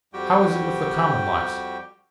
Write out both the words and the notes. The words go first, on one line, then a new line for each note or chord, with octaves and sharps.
How is it with the common lives?
F2 G3 F#4 G4 G5